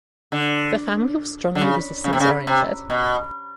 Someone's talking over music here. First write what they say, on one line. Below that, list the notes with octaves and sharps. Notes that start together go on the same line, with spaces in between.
The family was strongly resistance oriented.
D3
D3
C#3
C#3
C3
C#3
C3
B2